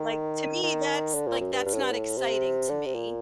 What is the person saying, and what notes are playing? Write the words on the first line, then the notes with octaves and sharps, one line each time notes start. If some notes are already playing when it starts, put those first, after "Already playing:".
Like to me, that's, like that's not exciting to me.
Already playing: D#3
D#3
D3
A#2
F#2
G2
G2
A2
G2
A2
C3
D3
C3
A#2